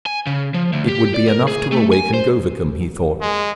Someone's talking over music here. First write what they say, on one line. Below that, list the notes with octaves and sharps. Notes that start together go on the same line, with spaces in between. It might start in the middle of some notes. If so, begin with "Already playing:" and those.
It would be enough to awaken Govicum, he thought.
G#5
C#3
F3
D2
G4
D5
A#4
G#4
A3
G#5
C5
G#3